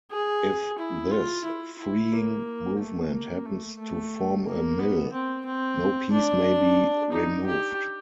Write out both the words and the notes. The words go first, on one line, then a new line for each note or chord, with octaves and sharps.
If this freeing movement happens to form a mill, no piece may be removed.
G#4
E4
F4
E4
E4
A#3
A3
A#3
A3
A3
A#3
B3
C4
C4
D4
D#4
G4